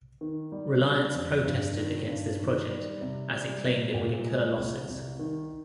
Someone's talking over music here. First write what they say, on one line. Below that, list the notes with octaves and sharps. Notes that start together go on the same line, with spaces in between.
Reliance protested against this project as it claimed it would incur losses.
D#3
G3
D4
F2
G2
D#3
G2
D#3
G3
C3
G3
C3
A#2
G#3
C2
C2
D#3